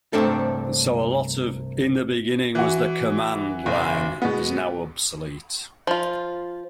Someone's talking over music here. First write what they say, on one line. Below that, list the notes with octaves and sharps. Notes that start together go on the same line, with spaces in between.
So a lot of "In the Beginning...was the Command Line" is now obsolete.
C2 G2 A3 C4 D4 A4
E3 F#4
F#1 B1
B2 G#3 B3
F3 F4